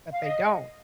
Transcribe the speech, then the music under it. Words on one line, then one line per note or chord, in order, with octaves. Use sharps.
but they don't.
F5
D#5